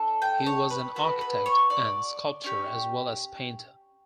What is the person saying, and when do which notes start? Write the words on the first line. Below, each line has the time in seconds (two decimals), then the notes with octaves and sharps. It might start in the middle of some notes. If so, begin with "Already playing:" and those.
He was an architect and sculptor as well as painter.
Already playing: D4 A4
0.22 G5
0.46 C#5
0.70 B4
0.95 B3 F#4 A4 B4
1.21 B4
1.46 C#5
1.70 D5
2.44 C#4 G4